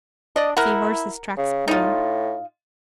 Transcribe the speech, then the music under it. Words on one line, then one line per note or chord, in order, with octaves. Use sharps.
See horse's tracks plain.
D4 D5 D#5
E4 A#4 F#5
C#3
A2 D#4 F4